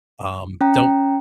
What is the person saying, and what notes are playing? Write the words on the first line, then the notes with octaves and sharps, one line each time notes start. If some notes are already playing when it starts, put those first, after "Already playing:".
um, don't
C#4 G5 A#5